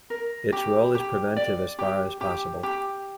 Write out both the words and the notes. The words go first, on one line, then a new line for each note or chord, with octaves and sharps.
Its role is preventive as far as possible.
A#4
G4
G4
D5
G4
G4
G4